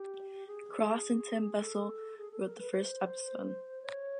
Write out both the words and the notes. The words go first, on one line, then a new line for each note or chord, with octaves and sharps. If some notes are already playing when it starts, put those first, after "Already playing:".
Cross and Tom Bissell wrote the first episode.
Already playing: G4
G#4
A4
G#4
A4
A#4
B4
C5
C#5